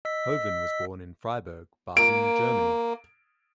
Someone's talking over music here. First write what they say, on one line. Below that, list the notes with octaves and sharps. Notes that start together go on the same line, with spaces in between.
Hoven was born in Freiburg, Baden, Germany.
D#5 E6 B6
A#3 D7